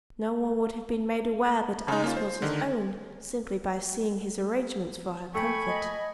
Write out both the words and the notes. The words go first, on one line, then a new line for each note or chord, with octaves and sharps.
No one would have been made aware that Alice was his own simply by seeing his arrangements for her comfort.
C#3 D#4
A#3 C#4 F4
C5
D3 D#3
A3 G5 G#5 B5 C#6
D#5